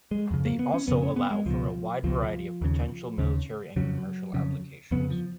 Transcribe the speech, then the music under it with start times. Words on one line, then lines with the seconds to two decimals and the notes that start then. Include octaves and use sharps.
They also allow for a wide variety of potential military and commercial applications.
0.11 G#3
0.31 F2 C#3
0.45 A#3
0.59 B3
0.74 C#4
0.88 F2 C#3 B3
1.02 C#4
1.16 B3
1.31 G#3
1.46 C#2 B2 F3
2.04 C#2 B2 F3
2.61 D#2 C#3
3.18 D#2 C#3
3.76 F2 C#3 F#3
4.34 F2 C#3
4.91 F2 C#3 B3
5.10 F3